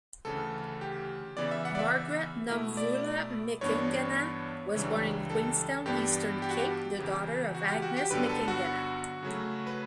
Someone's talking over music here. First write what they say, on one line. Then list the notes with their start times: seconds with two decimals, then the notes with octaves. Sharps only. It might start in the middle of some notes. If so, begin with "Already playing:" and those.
Margaret Nomvula M'cingana was born in Queenstown, Eastern Cape, the daughter of Agnes M'cingana.
0.25 D2 C#3 E3 A4
0.81 G4
1.37 C#3 E3 B3 D5
1.51 E5
1.65 F#5
1.75 D5
1.79 E5
2.49 B2 A3 E4
2.77 D5
3.61 G2 E3 B3 D4 C#5
4.74 C#2 C#3 E3 G3 D4
5.30 A4
5.86 G2 E3 B3 D4 G4
6.42 G4
6.50 F#4
6.59 G4
6.99 E2 C#3 E3
7.55 F#4
7.69 G4
7.82 F#4
7.97 G4
8.11 G2 D3 F#3 B3 B4
8.29 A4
8.48 F#4
9.22 C#3 F#3 A3
9.67 B4